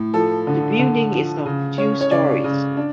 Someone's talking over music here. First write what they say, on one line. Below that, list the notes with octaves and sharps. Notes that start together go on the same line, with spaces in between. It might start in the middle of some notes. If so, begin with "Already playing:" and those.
The building is of two storeys.
Already playing: A2
F3 A4
D3
D3
F3
C#3
C#4 C#5
C#5
C#3 D5
C#3
D4